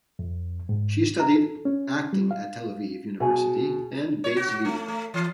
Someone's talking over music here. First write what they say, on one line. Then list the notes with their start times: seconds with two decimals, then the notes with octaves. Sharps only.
She studied acting at Tel Aviv University and Beit Zvi.
0.19 F2
0.69 G#2
1.20 A#5
1.36 A4
1.65 C#4
2.13 G3
2.31 F5
3.20 B2 G#4
4.24 C#5
4.37 F#4
4.48 F#4
4.65 A3
4.88 A3
5.14 E3